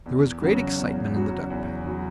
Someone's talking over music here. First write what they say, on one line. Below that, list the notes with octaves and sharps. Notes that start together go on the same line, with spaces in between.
There was great excitement in the duck pen.
E2
C#3 F#3 C#4 F#4
E2
C#3 F#3 C#4 F#4
E2
C#3 F#3 C#4 F#4